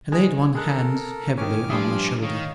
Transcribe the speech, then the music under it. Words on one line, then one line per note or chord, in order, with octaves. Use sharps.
He laid one hand heavily on my shoulder.
G#3
G#3 A4 A#4 F#6
D#3 C#4 G#5 D6 F6
G2 F3 F4 E5 D#6
D#3 C#5 D#5 F5